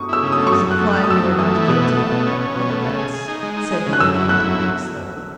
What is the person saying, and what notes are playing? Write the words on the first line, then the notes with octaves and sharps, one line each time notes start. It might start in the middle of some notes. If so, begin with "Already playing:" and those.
"It is a crime you are not guilty of, at all events," said the young detective slowly.
Already playing: C#6 D#6
E4 E6
C#3
A3 D#6
C#6
F#2 D#6
F#2 F#6
A3
F#6
A3
D#6
F#2 E6
F#2
A3 D#6
E3
B2 D#6
A3
A3
B2
C#4
C#4
B2
A3
C#3
G#4
G#4
D#4
G#3
D#4
G#3
C#3
F#6
F#2 E6
E4
E4 F#6
F#2
F#2